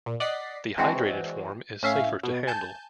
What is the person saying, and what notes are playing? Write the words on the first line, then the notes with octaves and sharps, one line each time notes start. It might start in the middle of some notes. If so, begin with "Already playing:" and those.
The hydrated form is safer to handle.
A#2
D5 D#5 F#5 B6 C7
E3 G#3 C4 D4 F#4
A2 C#4 E5 F5
B2
G#5 A5 G6